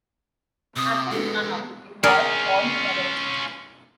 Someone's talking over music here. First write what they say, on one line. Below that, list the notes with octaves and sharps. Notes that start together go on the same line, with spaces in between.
After this run-out, it wall all Herath.
C3 D#6
G#3 B3 A4
C#4 F4 G#4 A#4 D5